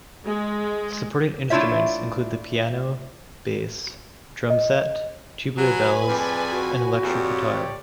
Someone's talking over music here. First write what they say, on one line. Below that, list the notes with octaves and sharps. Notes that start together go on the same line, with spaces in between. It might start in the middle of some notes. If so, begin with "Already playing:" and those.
Supporting instruments include the piano, bass, drum set, tubular bells, and electric guitar.
G#3
A3 D4 E4 F4 C#5 E5
D#5
F#3 B4 G#5
F2 G#4 D5 A5
F#4
F2 G4 C#5 D5